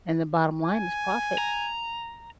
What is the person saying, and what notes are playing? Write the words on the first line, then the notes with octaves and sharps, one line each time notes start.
and the bottom line is profit.
G#5
A#5